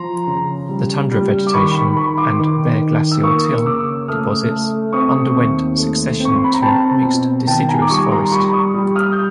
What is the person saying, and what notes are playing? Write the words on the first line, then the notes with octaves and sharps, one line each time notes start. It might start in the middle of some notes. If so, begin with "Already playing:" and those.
The tundra vegetation and bare glacial till deposits underwent succession to mixed deciduous forest.
Already playing: F3 A#5 C6
C#3
G3
G3
D6
D#3 B5 C#6
B5 C#6
D#3 B5 C#6
C6 D6
D#3
D#3
E6
A#3 C#6 D#6
C#3 D6 E6
A3 D#6 F6
A3
C4 C#6 D#6
D#2
A3
C4
C#6
C6
B5
A#5
C4 G5 A5
B2
D#3 G5 A5
G#5 A#5
D6
G3 C#6 D#6
A#5 C6
G3 B5 C#6
C#6 D#6
G3
D#6 F6
G6